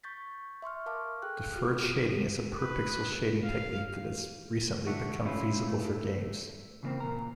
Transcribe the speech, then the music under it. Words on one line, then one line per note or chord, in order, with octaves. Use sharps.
Deferred shading is a per-pixel shading technique that has recently become feasible for games.
C#6 G6 A6 B6
E5 C6 C#6 F6
A#4 F5 A5 C#6 D6 F6
G#4 A4 G5 F#6
F4 F#4 G#4 F6
F4
B4
F5
D3 A3 F#4
A3 C#4 E4 F4
A3
C#3 E3 G3 A#3 C4
A#2 A#4